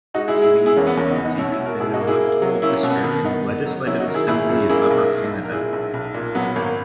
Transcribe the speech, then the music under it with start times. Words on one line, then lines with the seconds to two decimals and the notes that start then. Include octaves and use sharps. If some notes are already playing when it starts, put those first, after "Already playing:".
Leeds County had been an electoral district in the Legislative Assembly of Upper Canada.
0.14 G#3 D#4 F#4
0.28 E4 G#4
0.35 G#3
0.42 E4 G#4
0.56 G#3
0.66 E4 G#4
0.76 E2 A#3 C#4
0.87 B3
0.97 E2 A#3 C#4
1.11 B3 D#4
1.18 E2
1.25 B3 D#4
1.38 B2 C#4 E4
1.52 C#4 E4
1.60 B2
1.66 F#4 A#4
1.80 B1 E4 G#4
1.94 D#4 F#4
2.01 A#3
2.07 E4 G#4
2.21 A#3
2.42 F#3
2.62 A#3 C#4 E4
2.76 A#3 C#4
2.83 B2
2.90 B3
3.03 D#3 B3
3.25 D#3 B3 D#4
3.45 D#3
3.66 F#3
3.86 F#3 C#4 E4
4.00 D#4 F#4
4.08 D#3 A#4
4.14 E4 G#4
4.28 G#1 E4 G#4
4.49 F#2
4.69 A#3 E4 G#4
4.90 B1
5.11 A#3
5.32 B1
5.43 A#4
5.52 A#2 E4 G#4
5.73 B1
5.94 B1
6.14 A#2
6.35 F#3 B3
6.56 G#1 A#3